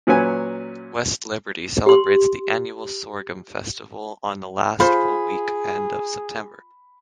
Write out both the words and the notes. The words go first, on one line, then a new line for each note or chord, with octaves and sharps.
West Liberty celebrates the annual Sorghum Festival on the last full weekend of September.
A#2 F#3 C#4 B4 G#5
G4 C6
F4 G#4 C5 B5